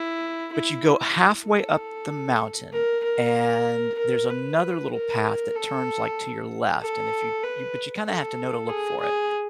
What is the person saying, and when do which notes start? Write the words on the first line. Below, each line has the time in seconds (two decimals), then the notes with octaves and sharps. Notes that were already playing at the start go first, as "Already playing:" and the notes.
but you go halfway up the mountain, and there's another little path that turns, like, to your left, and if you you but you kinda have to know to look for it.
Already playing: E4
0.52 E4
1.47 A4
2.72 A#4
3.04 A#4
3.99 A#4
4.30 B4
4.93 A#4
5.55 A4
6.81 A4
7.43 B4
8.06 A4
8.69 G#4
9.01 G#4